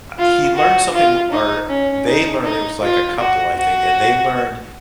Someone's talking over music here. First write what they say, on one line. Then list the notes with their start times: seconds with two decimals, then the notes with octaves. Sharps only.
uh, he learned something w or they learned it was, like, a couple, I think, and they learned
0.18 F4
0.56 F#4
0.93 F4
1.31 D#4
1.69 C#4
2.07 D#4
2.44 D#4
2.82 F4
3.20 F#4
3.58 F#4